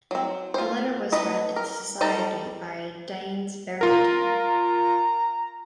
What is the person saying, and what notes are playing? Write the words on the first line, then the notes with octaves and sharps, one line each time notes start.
The letter was read to the society by Daines Barrington.
F#3 C4
F4 C5
A3 B4 D#5
A#4
G3 D#4 A4 A5 A#5
F4 A#4 A#5